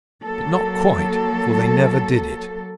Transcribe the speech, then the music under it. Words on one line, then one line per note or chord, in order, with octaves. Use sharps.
But not quite, for they never did it.
F#3 A#3 A4